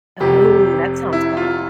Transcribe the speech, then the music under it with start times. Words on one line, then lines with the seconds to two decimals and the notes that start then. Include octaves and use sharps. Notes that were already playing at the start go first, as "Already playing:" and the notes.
Oh, that sounds fun.
0.20 F1 F2 C3 G4
1.13 E4
1.37 F4